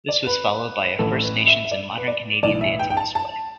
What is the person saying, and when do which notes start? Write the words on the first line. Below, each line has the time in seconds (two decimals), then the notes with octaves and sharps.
This was followed by a First Nations and modern Canadian dancing display.
0.09 D5
0.27 B4
0.99 A1 A2 E3 A4
1.23 B4
1.48 E5
1.65 E5
1.72 D5
1.97 B4
2.08 D5
2.43 B1 A2 E3 D5
2.61 E5
2.79 G5
2.90 G5
2.97 A5
3.15 A5